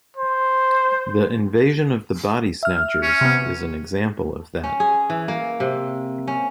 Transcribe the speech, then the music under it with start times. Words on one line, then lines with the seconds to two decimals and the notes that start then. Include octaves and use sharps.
"The Invasion of the Body Snatchers" is an example of that.
0.17 C5
2.63 E5 F6
3.03 C#4
3.21 C3 B3
4.64 C#4
4.80 G#4
5.10 E3
5.28 A#3
5.60 C3
6.28 C#4